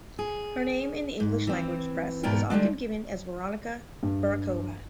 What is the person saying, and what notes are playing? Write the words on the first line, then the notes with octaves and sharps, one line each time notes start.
Her name in the English language press is often given as Veronica Varekova.
G#4
G#2
E3 C4
E2 G#2 B2 B3 A#4 G5
D3 G3 G#3 D4
G2